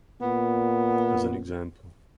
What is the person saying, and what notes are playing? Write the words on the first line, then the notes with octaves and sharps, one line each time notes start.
As an example.
A#2 B3